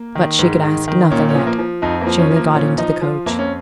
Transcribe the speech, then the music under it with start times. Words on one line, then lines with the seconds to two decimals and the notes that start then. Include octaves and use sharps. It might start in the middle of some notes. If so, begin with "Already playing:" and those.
But she could ask nothing yet; she only got into the coach.
Already playing: A#3
0.15 D#3
0.39 G#2
0.63 D#3
0.88 D#3
1.10 A#2 C#4
1.29 C#4
1.35 F3
1.47 A#3
1.59 F3
1.82 F2 D#4
2.01 A#3
2.07 F3
2.18 C#4
2.31 F3
2.36 A#3
2.54 A#2 C#4
2.78 F3 D#4
3.02 F3 F4
3.26 F2 A#3
3.39 C#4